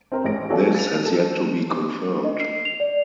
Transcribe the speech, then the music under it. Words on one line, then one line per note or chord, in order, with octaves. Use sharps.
This has yet to be confirmed.
C4 A#4 C5
A1 G#3 C#5 A#6 D7
C#4 F#4 A4 D5 F5 G#5
A6 F7
A4 E7
D#5
C7
F7
D5